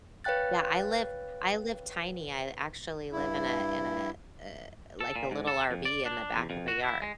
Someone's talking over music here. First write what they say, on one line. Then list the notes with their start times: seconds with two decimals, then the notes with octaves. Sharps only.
Yeah, I live I live tiny. I actually live in a in a, eh, like, a little RV in the back of a yard.
0.24 B4 C#5 F5 G5 F#6 A6
3.12 G2 E4
5.01 A4
5.16 A#2
5.31 G#2
5.47 A4
5.71 F2
5.85 D5
6.06 D4
6.36 E2
6.50 F2
6.68 F#4
6.84 E4
7.02 G#3